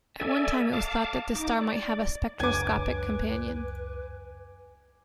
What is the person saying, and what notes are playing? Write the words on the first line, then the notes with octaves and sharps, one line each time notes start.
At one time it was thought that this star might have a spectroscopic companion.
A4 D5 E5 G#5
F5 A5 D6
D#4 D6
D5
C#2 F#2 D4 B4 G#5 D6